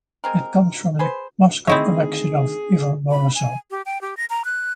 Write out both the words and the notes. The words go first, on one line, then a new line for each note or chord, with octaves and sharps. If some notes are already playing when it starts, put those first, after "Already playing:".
It comes from the Moscow collection of Ivan Morozov.
G#3 C4 A#4
G#4 B4 C5
D3 D#3 A3 C4 E4 G#4 C#5 D#5
B5
G#5
G4
G5
G4
A#6
A#5
F#6